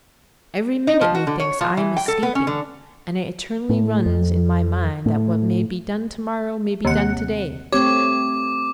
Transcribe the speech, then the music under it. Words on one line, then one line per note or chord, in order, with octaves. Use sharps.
Every minute, methinks, I am escaping, and it eternally runs in my mind, that what may be done to-morrow, may be done to-day.
D#4
F3
F#4
D3
C#5
F3
E3
G5
A4
B3
C#4
D3
A2
F2
A2
D#2 C3 F#5
A3 C4 G4 C#5 D6